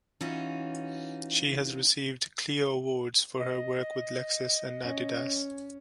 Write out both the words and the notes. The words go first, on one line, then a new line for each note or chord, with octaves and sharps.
She has received Clio awards for her work with Lexus and Adidas.
E3 C#4 D#4 F4 F#4
D#5
C#4